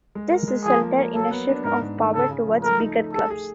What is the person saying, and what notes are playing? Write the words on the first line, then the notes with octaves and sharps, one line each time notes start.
This resulted in a shift of power towards bigger clubs.
G#3
A#4
G#3
F3 G#4
A#3
A#3
F#3 A4
B3
D4
G#2 A#4
G#2
D#3
C#3 A4
C#3
F3
A3 A#4
D#4
A3
G#4 A4
G#4